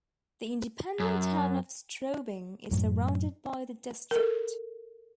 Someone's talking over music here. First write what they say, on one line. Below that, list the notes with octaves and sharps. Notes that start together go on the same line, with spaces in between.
The independent town of Straubing is surrounded by the district.
F#2
F#2 A2
A4 A#4